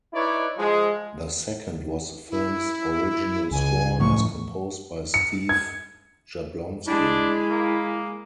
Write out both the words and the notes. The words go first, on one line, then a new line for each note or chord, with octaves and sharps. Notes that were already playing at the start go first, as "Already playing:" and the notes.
The second was the film's original score as composed by Steve Jablonsky.
D#4 E4 B4 C#5 D5
F3 G#3
E4
C#2 G#5
A2 F3 G#3 C#6
C#7
G#6
G#3 D4 E4
A#3